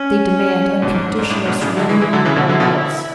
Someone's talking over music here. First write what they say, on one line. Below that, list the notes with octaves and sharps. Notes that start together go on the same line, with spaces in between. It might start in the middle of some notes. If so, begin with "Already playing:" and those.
They demand unconditional surrender, or else.
Already playing: C#4
G#2 B2 D4
G#2
G#2
G#2
A2
G#2 B2
A2 C#3
D3 F#3 E4
E3 G#3
E3 G#3
D3 F#3
C#3 E3
B2 D3
D3 F#3
B2 D3